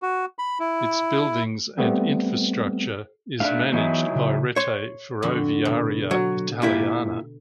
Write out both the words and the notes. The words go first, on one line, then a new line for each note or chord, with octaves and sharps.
Its buildings and infrastructure is managed by Rete Ferroviaria Italiana.
F#4
B5
E4
G3 A3 B3 C4
A3 D4 D#4 E5 F5
E3 F#3 B3 D#4 E4
C#3
C#5 C6
F2 D3 F#4
B2
F#3
A#2 E4 G4